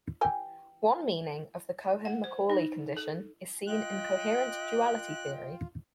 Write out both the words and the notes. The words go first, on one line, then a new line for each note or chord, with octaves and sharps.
One meaning of the Cohen-Macaulay condition is seen in coherent duality theory.
E3 G4 G#5
F#5
C5
D#4
A4
F4 D#5 G5 F#6